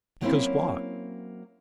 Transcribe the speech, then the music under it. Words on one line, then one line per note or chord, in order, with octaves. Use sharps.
'Because why?
F#3 A#3 C4 C#4 E4